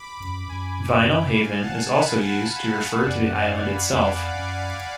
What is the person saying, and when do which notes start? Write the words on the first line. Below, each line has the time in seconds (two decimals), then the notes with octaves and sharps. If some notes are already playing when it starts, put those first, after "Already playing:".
Vinalhaven is also used to refer to the Island itself.
Already playing: B5 D6
0.20 F#2
0.48 F#2 G#5 B5
0.92 F#2
1.34 F5 G#5
1.63 F#5 A5
1.91 G#5 B5
2.20 F#5 A5
2.48 G#5 B5
3.06 F#2 D5 F#5
3.35 F5 G#5
3.63 G#5 B5
3.92 F2 B5 D6
4.35 F#2